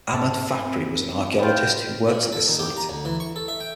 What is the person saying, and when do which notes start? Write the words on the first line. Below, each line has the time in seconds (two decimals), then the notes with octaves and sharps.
Ahmad Fakhri was an archaeologist who worked at this site.
0.13 G#2 A4
0.52 E3 C4
1.39 B3 F4 G5
2.07 A#2
2.32 A4
2.48 D#3
2.59 G4
2.77 A#5
2.89 D2
3.05 E3
3.20 C#6
3.36 A4
3.48 E5
3.60 G5